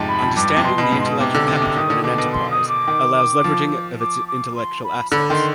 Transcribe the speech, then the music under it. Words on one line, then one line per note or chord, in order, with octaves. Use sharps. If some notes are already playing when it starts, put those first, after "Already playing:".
Understanding the intellectual capital in an enterprise allows leveraging of its intellectual assets.
Already playing: F2 G#2 C3
B5
F2
G2 D6
C3
B2 C6
B2 B5
G#2
B2 C6
D#6
C3 D6
D3
C3
C3
D#3 D#6
D3
B2 D6
B2
C6
D#6
D6
D#3
F3
D6
D6
C6
B5
D3 B5
D#3 C6